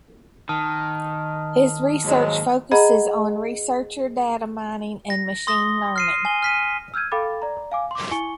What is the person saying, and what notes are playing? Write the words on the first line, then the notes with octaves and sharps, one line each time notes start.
His research focuses on researcher data mining and machine learning.
D#3 A5 D#6 F6
D#2 G#2 F#3 G#3
G#4 D#5 F#5 A#5 B5
A#6
C6 D#6 A#6 G7
F6 C7 D#7
G#5 G7
F6 B6 D#7
E6 F6 G6 G#6 D#7
A4 F5 G5 B5 D6 A6
D5 A#5
F5 G#5 D6
C6 D6
E4 G#5 C#6 C#7 G7